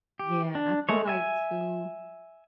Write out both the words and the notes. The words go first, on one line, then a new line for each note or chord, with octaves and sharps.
Yeah, I feel like too,
G4
D4
G#3 A3 C#5
E5 G#5